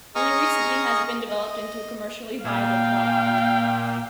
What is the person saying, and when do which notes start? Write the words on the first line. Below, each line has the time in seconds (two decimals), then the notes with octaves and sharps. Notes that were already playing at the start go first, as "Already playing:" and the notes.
Only recently has it been developed into a commercially viable crop.
0.15 G#4 D#5 A#5 C#6 D#6 F6
1.28 D#5
2.45 A#2 F5 G5